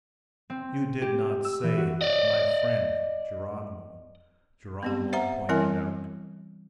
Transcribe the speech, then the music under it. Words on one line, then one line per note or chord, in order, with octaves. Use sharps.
"You did not say, 'My friend, Geronimo,'" Geronimo pointed out.
C4
G4
E6
E3
F#4
D5 D#5
B3 C4 G4
C5 E5 F#5 A#5
E3 G3 C4 E4 A#4 G#5